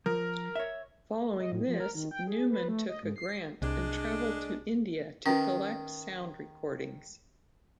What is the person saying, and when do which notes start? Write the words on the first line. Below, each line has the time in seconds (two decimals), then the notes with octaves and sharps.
Following this, Newman took a grant and travelled to India to collect sound recordings.
0.06 F3 A#4
0.55 C#5 E5
1.39 D#5
1.52 A2
1.67 F3
1.80 A#4
1.95 D#3
2.11 G5
2.27 G#4
2.51 B4
2.68 A3
2.89 D#5
3.03 G#2
3.16 C7
3.62 C2 G#3 D4
5.26 D#3 C#4 B4